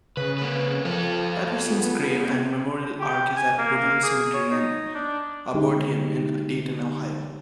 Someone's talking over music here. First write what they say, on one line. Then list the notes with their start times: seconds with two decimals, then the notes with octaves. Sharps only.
Patterson's grave and memorial arch is at Woodland Cemetery and Aborateum in Dayton, Ohio.
0.17 C#3 B4
0.38 A#3 B4
0.85 F3 F4 A4
1.71 B3
3.00 G4
3.36 G#5
3.58 A#3
4.03 G#4
4.34 C#5
4.51 D#4
4.95 D4
5.54 D3 G#3 B3 D#4 G4